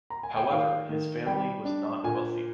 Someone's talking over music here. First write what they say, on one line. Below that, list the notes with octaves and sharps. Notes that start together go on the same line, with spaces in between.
However, his family was not wealthy.
A#5
G#5
G5
D#3 F5
D#3
G3 G5
D4
A#2 G#5